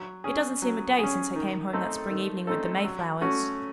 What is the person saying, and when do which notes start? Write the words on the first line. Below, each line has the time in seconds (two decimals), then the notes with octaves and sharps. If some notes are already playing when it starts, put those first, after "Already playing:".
It doesn't seem a day since I came home that spring evening with the Mayflowers.
Already playing: F#3
0.24 C#4 G#4
0.62 F#3
0.99 C#4 G#4
1.35 D#3
1.73 A3 C4 D#4 A4
2.10 D#3
2.47 A3 C4 D#4 A4
2.84 F#3
3.21 A3 C#4 F#4